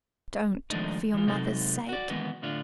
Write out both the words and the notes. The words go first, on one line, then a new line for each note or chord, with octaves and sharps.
Don't, for your mother's sake.'
D#3 F3 G#3 A3 D4 D#4
E3 F4
C3 F#3 G#3 D#4 A4 C5
F#4 D5
D#3 E3 G#3 A#3 B3 C#4
A2 D3 D4 F4